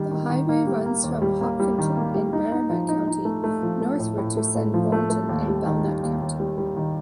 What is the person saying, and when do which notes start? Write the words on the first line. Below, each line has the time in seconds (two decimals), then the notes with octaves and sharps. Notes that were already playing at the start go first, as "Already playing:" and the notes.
The highway runs from Hopkinton in Merrimack County northward to Sanbornton in Belknap County.
Already playing: D#3 G3
0.11 D#3
0.30 D#3
0.49 A#3
0.67 G3
0.86 A#3
1.04 D#2
1.22 G3
1.41 A#3
1.60 G3
1.78 D#3
1.97 A#3
2.15 G3
2.33 D#4
2.52 D#4
2.70 F3
2.89 D#4
3.08 D#4
3.25 A3
3.44 A3
3.62 F3
3.81 A3
3.99 A2
4.18 A2
4.37 A3
4.55 A2
4.74 F3
4.92 A3
5.10 A3
5.29 D#2
5.48 G3
5.66 D#3
5.84 G3
6.03 D#2
6.21 D#2
6.40 G3
6.58 G3
6.77 D#3